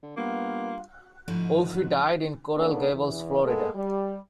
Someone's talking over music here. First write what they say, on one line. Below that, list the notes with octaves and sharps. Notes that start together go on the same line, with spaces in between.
Wolfe died in Coral Gables, Florida.
D3
G2 A#3 B3 F4
G#2 D3 F3 A3 D#4 E4
C#3 A#3 B3 D4 D#4 A4
E2 E3
G#3 A#3 B3 A4
G3